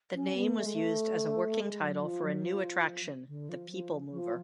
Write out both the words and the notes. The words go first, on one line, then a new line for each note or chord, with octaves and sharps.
The name was used as a working title for a new attraction, the PeopleMover.
C#4
B3
A3
G#3
A3
G#3
F#3
F3
F#3
F3
D3
F3
F3
F3